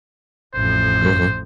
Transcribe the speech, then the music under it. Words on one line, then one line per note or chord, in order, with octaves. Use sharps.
Uh huh.
A1 F2 C5